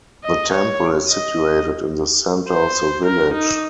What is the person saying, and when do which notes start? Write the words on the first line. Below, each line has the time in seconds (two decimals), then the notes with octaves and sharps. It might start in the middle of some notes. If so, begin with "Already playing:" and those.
The temple is situated in the centre of the village.
0.24 D#5
0.53 C#5
1.09 D#5
2.50 C5
3.06 A#4
3.34 D#4